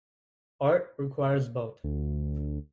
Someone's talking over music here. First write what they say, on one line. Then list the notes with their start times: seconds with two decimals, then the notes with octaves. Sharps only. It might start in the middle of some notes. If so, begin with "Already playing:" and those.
Art requires both.
1.84 D2